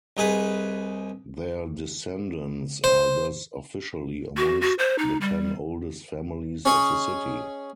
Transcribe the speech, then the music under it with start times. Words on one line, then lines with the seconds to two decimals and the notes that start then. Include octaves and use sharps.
Their descendants are thus officially amongst the ten oldest families of the city.
0.17 C2 D#4 G#4 B4
2.84 C5
4.37 F#4
4.61 F#4
4.79 C5
4.99 D#4
5.21 G3
6.65 C#4 G#4 C#5 D#5